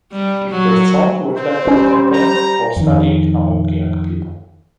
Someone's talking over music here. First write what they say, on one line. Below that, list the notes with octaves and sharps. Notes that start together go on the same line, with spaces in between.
The song reflected contempt for studying among young people.
G3
F#3
C4 C5
G3 C#4
A#5
F2 D#3